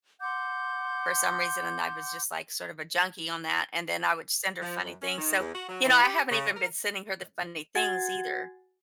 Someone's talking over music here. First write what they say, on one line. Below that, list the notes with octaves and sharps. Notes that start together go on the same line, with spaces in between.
for some reason and I was just, like, sort of a junkie on that, and then I would send her funny things, so, you know, I haven't even been sending her the funny things either
F#5 C6 D6 G6
F3
F#2
C#4
D#3
E2
F#4
F#3
E3
G4
C#3
A#4
F#4 F#5 G#5 G#6 A6